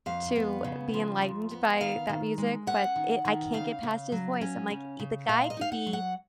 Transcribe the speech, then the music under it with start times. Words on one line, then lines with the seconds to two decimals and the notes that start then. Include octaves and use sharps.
to be enlightened by that music, but it I can't get past his voice. I'm, like, "The guy could be
0.06 F2 F5
0.36 B3
0.64 C#3
0.94 F3
1.22 F2
1.51 B3
1.80 D#3 F5
2.09 D#3
2.38 G#3
2.67 C#4 F#5
2.96 D#3
3.25 D#3
3.54 C#3 F5
3.83 C#3
4.12 F#3
4.41 C#4
4.70 C#3
4.99 C#3
5.28 A#2 F5
5.50 D#5
5.57 D#4 F5
5.72 F#5
5.86 F#3
5.93 F#5